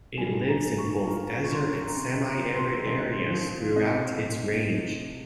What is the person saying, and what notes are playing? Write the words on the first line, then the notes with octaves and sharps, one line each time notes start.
It lives in both desert and semiarid areas throughout its range.
G3 G#5
A#5
G3
C#6
F4 A#5
C#6
C#4 C6
A#5
C3 C6
A#5
C4
C6
G#3 C6
F3
C3 D#5